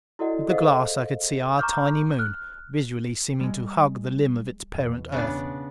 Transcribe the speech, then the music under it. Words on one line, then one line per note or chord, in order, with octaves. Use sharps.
With the glass I could see our tiny Moon, visually seeming to hug the limb of its parent Earth.
E4 F#4 A4 D5 D#5 F#5
G#4 A4 C5 D#5 F5 F#5
A#5 C#6 D6 F6 G6
F6 F#6
G3 G#3
E2 B2
C#3 B3 D4